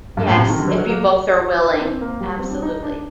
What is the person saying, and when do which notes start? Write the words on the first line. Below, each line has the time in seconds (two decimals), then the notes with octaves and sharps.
Yes, if you both are willing, absolutely.
0.17 G2
0.28 A2
0.37 C3
0.48 D#3
0.58 D3
0.64 G3
0.68 F#3
0.78 F#3
0.89 A#3
1.72 D4
1.80 C4
2.01 A#3
2.21 G3
2.39 C4
2.50 D4
2.62 D#4
2.83 D4